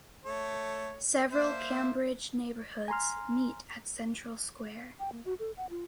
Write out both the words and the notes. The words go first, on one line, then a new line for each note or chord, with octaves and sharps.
Several Cambridge neighborhoods meet at Central Square.
A3 A4 C#5
A#3 C5 E5
G#5 A#5 C6 F6
G5
A#3
F#4
A4
F#5
F4